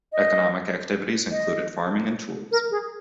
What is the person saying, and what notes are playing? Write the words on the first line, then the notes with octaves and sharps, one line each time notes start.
Economic activities included farming and tourism.
D#5
D#5
A#4
G#4